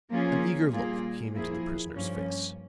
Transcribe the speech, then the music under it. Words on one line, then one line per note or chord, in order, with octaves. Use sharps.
An eager look came into the prisoner's face.
F3 A#3 C#4 F4 G#4
A#2 G3 A#3 F4 G#4
F3 A#3 E4 G#4
G2 F3 A#3 C#4